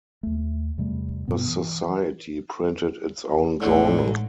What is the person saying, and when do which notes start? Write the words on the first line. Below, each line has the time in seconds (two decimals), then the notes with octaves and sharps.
The society printed its own journal.
0.23 D#2 A3
0.78 E2 C3 G3 A3
1.28 G2 B2 B3
1.47 E3
3.61 A1 A2 D3 G#3 A3 D#4